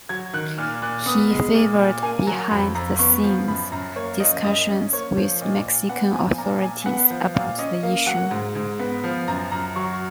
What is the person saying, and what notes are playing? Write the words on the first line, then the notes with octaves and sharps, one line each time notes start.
He favored behind the scenes discussions with Mexican authorities about the issue.
F#3 G#6
D#3 F#6
A#2 F6
A#2 F#6
B3 D#6
G#3
A#2
A#2
A#3 G#5
F#3 A#5
F2 B5
F2 A#5
B3 C#6
F3
F#2 B5
F#2 A#5
A#3 C#5
F3 D#5
F#2 D#5
C#4
A#3 C#5
F3 C#5
A#2 D#5
A#2
B3 F#5
F3 G#5
A#2 A#5
A#2 G#5
B3 F#5
F3
A#2 F5
C#4 D#5
A#3 F5
F#3 F#5
G#2
G#2
B3
F3
F#2 A#5
F#2 A#5
F#3 C#6